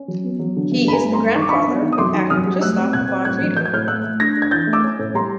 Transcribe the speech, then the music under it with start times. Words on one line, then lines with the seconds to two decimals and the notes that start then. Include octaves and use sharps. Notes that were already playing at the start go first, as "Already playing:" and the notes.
He is the grandfather of actor Christoph von Friedl.
Already playing: C#4
0.08 F#3
0.24 B3
0.39 F#3
0.56 D3
0.72 G2
0.87 G2 B5
0.93 G#5 A#5
1.03 A3
1.13 A#5 C6
1.19 G2
1.35 D#3 C#6
1.42 D6
1.49 D4 B5 C#6
1.67 B3
1.83 D#3
1.93 D#6
1.98 F#2 C6 D6
2.14 D#3
2.30 F#2 D#6 F6
2.46 G3
2.61 A3 E6 F#6
2.77 C4
2.93 A#2 F#6 G#6
3.09 C4
3.25 A2 F#6 G#6
3.42 F#3
3.56 F#3 G6
3.66 G#6
3.73 A2 F6 G6
3.88 A3 E6 F#6
4.04 A3
4.20 D4 G#6 A#6
4.37 D4
4.42 G#6
4.51 E3 G6 A6
4.67 A3
4.73 D6 E6
4.84 C#4
4.99 A2
5.15 G3 A#5 C6